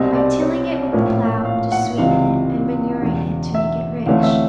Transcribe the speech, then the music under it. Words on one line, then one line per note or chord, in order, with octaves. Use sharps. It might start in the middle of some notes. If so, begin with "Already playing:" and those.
By tilling it with the plough, to sweeten it, and manuring it, to make it rich.
Already playing: C2 B2 G3 C4 D#5
D5
C#5
A#1 A2 F3 A#3 C#4
F5
F#5
C#2 C3 E3 G3 F5
E1 E2 C#3
E5
D2 C3 E3 A3 C#4 F5
E5